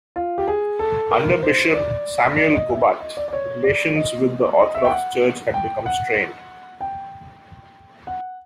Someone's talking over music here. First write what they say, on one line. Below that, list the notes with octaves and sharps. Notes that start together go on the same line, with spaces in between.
Under Bishop Samuel Gobat, relations with the Orthodox Church had become strained.
F4
G4
G#4
A4
A#4
C5
D5
D5
D#5
E5
D#5
D5
D5
C#5
D5
D#5
D#5
E5
G5
F#5
G5
F#5
G5
F#5